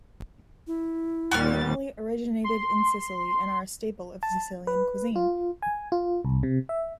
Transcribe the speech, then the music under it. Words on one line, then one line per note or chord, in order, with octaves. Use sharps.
Cannoli originated in Sicily and are a staple of Sicilian cuisine.
E4
D#2 A#2 G3 F#4 C#6 F6 A6
C6
A5
B4
F4
G#5
F4
C2
C3
E5